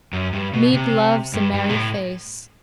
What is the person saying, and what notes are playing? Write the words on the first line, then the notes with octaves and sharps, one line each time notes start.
"Mead loves a merry face."
F#2
G2
B2
C3
G2
G2
B2
A2